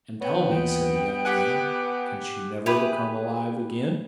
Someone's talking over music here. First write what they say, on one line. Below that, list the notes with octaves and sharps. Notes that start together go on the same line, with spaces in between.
"And tell me," said the young man, "can she never become alive again?"
B3 C#5 G5
D#2 E3 F4 B4 D#5 G5
G4 F#5 G#5 F#6 B6
G4 G#4 B4 E5